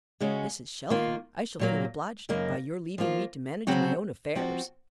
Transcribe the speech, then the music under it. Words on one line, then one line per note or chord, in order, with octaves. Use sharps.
"Mrs. Shelfer, I shall feel obliged by your leaving me to manage my own affairs."
C#3 G#3 C#4 F#4
D#3 A#3 F4
A#2 F#3 A#3
F#2 C#3 F#3 A#3 D#4
F3 A#3 F4
C#3 F#3 C4 F#4
F3 C4 F#4